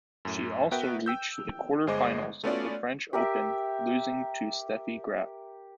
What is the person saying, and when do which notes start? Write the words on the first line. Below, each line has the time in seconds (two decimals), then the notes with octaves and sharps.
She also reached the quarterfinals of the French Open, losing to Steffi Graf.
0.25 F#2 A2
0.71 B3 F#4 A#4 B4 E5 G5
1.06 G5 E6 G6
1.87 G1 G#3 G#4 C5 D#5 D6
2.44 A3 B3 C#4 F4 F#4 D5
3.13 G4 A#4 E5